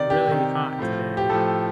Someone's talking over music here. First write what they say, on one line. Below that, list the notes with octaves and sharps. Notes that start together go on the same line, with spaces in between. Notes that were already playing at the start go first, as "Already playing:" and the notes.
really hot today
Already playing: C3 D#3 D5
G4
C3 D#3
A2 F3
G4
A2 F3 A4